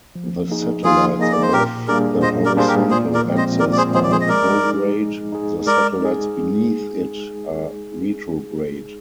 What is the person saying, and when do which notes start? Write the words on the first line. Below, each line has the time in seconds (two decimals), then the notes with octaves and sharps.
The satellites above the horizontal axis are prograde, the satellites beneath it are retrograde.
0.15 F3
0.49 A#3 D#4 G#4
0.84 F3 F4 G#4
1.19 A#3 D#4 G#4 D#5
1.32 D5
1.42 C5
1.53 A#2 G4 A#4
1.88 G3 A#3 D4 G#4 A#4 D5
2.22 A#2 C5 D#5
2.45 A#4 D5
2.57 G3 A#3 D4 G#4 C5
2.68 G4 A#4
2.91 A#2 G#4 C5
3.14 A#4 D5
3.25 F3 G#3 C4
3.37 C5 D#5
3.59 A#2 A#4 D5
3.72 D5
3.77 G#4 C5
3.94 F3 G#3 C4 G#4 C5
4.03 D5
4.12 G#4 C5
4.21 D#5
4.28 G#3 A#4 D5
4.63 D#4 G#4
4.98 G#3
5.32 D#4 G#4
5.67 G#3 A#4 D5
6.01 D#4 G#4